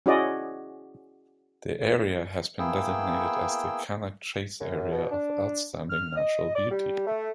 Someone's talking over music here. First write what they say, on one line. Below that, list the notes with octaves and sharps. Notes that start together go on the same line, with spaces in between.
The area has been designated as the Cannock Chase Area of Outstanding Natural Beauty.
C#4 E4 F#4 G#4 D5 D#5
A#3 B3 E4 G#4 G5 E6
F#2
B2
D4
F6
D#5
D5
G3
A3